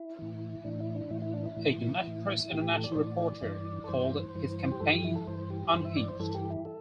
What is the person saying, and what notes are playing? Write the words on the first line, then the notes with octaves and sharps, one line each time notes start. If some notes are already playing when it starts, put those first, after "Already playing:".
A United Press International reporter called his campaign unhinged.
Already playing: E4
A2 E3
A2 E3 D4
E4
D4
A2 E3 E4
E4
D4
E4
A2 E3
A2 E3
A2 E3 G4
G4
A4
D5
C5
A2 E3 D5
G2 E3
A4
G2 E3 C5
G2 E3
G4
G2 E3 A4
G4
E4
A4
G2 E3 C5
G4
G2 E3 C5
E5
D5
C5
G2 E3 A4
G4
E4
A4